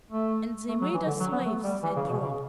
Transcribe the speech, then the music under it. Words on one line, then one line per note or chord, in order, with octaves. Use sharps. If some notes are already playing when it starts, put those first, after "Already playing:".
"And they made us slaves," said Trot.
A3
A3
F#3
E3
D3
F#3
B3
A3
G3
E3
C#3
B2
C#3